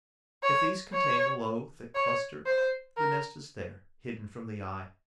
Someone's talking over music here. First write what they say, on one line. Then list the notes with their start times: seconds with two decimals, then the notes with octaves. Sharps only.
If these contain a low, thick cluster, the nest is there, hidden from the eye.
0.43 C#5
0.93 C#5
1.95 C#5
2.46 C5
2.97 A#4